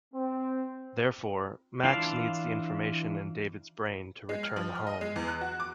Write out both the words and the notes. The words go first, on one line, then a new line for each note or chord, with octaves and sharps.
Therefore, Max needs the information in David's brain to return home.
C4
E3 D4 F4 F5 A5
G#3
F6
F3
F6
D#5
G#3
E2
F#6
F#4
D6